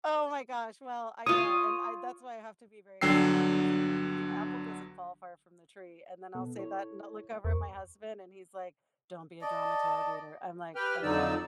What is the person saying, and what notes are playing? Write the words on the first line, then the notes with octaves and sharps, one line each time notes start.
Oh, my gosh. Well, I know. And I that's why I have to be very careful because I'm, like, "If the apple doesn't fall far from the tree." And then I'll say that, and I'll look over at my husband and he's like, "Don't be a drama tailgater." I'm like, "Okay,
F4 C#5 D#6
G1 D3 F#3 G5 E6 C7
B2 B3 A4
E4 A4 C#5
E2 A#4 C5 C#6
D5 D#5 A5
G4 B4 G5 F6
F2 D3 F#3 D#4 D5 E6